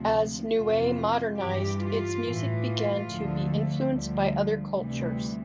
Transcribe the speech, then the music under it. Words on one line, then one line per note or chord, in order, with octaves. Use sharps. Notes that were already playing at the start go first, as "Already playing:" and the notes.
As Niue modernized, its music began to be influenced by other cultures.
Already playing: D2 C3 F3
F2 C3 E3 F4
G2 E3 G4
F4
A2 E3
F4
D2 D3 F3
A3
D2 D3 F3 G3
D2 C3 E3 G3